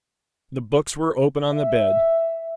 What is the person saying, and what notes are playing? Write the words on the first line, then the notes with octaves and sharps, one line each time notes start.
The books were open on the bed.
E5